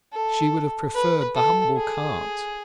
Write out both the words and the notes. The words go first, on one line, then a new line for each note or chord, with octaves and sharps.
She would have preferred the humble cart.
A4
B4
A4
G#4